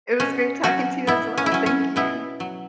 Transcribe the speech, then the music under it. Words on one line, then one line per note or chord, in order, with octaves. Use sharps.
It was great talking to you as well. Thank you.
B2 C#4
F#3 C#4 F#4
B2 B3 E4
C#4
E4
F#3 C#4
C#4
B2 B3 E4
F#3